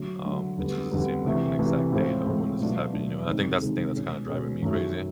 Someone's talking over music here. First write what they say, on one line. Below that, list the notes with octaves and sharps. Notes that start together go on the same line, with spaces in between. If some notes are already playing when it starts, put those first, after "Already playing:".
um, it just doesn't seem like an exact date of when this is happening, you know? And I think that's the thing that's kinda driving me crazy,
Already playing: D3 F#3 A3
D3 F#3 A3
F2 D3 G3 B3
F2 D3 G3 B3
C3 E3 A3
C3 E3 A3
A2 F3 G#3 C4
A2 F3 G#3 C4
B2 F#3 A3 D4 F4
B2 F#3 A3 D4 F4
C3 D#3 G#3 C4 D#4
C3 D#3 G#3 C4 D#4
B2 G#3 C#4
B2 G#3 C#4
F#2 D#3 F#3 A3